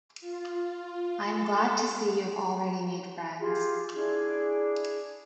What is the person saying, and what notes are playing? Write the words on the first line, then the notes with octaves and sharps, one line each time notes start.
I am glad to see you have already made friends.
F4
A4
F4 G4 G#4
D4 E4 G#4